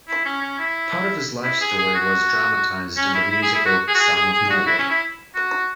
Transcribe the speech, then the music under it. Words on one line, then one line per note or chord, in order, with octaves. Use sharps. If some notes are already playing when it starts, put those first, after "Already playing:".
Part of his life story was dramatised in the musical "Song of Norway".
E4
C#4
C#4
E4
E4
G#4
G#4
F#4
C#4
E4
E4
G#4
E4
F#4
G#4
F#4
G#4
G#4
G#4
F#4
E4
C#4
E4
F#4